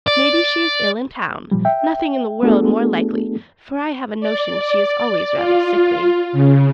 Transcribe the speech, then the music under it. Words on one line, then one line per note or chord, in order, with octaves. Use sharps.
May be she is ill in town; nothing in the world more likely, for I have a notion she is always rather sickly.
D5
A#2 F3 G3
E5 G5
A3 B3 D4 F#4 G#4 A4
D5
F4
C#3